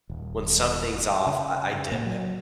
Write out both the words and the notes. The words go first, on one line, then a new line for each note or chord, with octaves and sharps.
when something's off, I I dip.
D#1
C#3
A#2
F#3